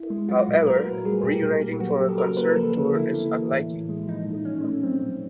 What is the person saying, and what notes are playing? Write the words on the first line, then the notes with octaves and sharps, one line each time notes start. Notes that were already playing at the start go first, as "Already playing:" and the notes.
However, reuniting for a concert tour is unlikely.
Already playing: E4
G#3
F#3 F4
F#4
A#2
B4
A#2 A#4
A3
G3 G#4
A#2 G4
A#2
A#3
F#3 F#4
G4
C#3
A4
C#3 A#4
A#3 B4
F3 A4
D3
D3 E4
A#3
E3
A2
A2
G#3
F3 D#4
A#2
A#2 C#4
A3
F#3 C4
A#2